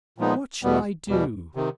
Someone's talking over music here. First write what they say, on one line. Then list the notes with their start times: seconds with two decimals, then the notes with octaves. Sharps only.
"What shall I do?"
0.18 A#2 F3 G#3 B3 D#4
0.63 E2 B2 G3 B3
1.08 E2 B2 G3
1.55 C3 D#3